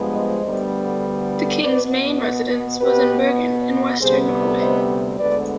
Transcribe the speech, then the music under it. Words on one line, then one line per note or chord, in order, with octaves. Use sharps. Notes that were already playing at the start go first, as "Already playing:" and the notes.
The king's main residence was in Bergen in Western Norway.
Already playing: G2 F3 G#3 B3
C5 D#5
D2 D3 G3 B3
B2 B3 B4 D5
B2 B3 G4 B4
D2 C3 G3 B3 G#4 C5
C5 D#5
D2 D3 G#3 B3 B4 D5